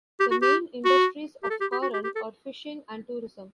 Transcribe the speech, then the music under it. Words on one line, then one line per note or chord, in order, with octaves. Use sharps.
The main industries of Coron are fishing and tourism.
G4
F#4
G4
F#4
G4
A4
G4
G4
F#4
G4
G4
A4